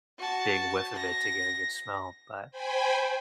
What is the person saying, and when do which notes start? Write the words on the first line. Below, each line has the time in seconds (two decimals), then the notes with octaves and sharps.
big whiff of it to get a good smell, but,
0.18 F#4 A5
0.96 A#6
2.51 C5 G5 G#5 B5